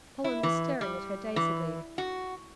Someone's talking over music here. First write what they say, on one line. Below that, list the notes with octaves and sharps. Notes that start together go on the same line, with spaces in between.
Colin was staring at her dazedly.
E4
E3
G3
E3
F#4